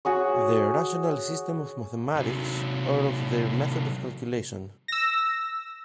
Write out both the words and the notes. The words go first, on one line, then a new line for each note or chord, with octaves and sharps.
Their rational system of mathematics, or of their method of calculation.
F#4 G#4 C#5
C3 F#3
E6 A#6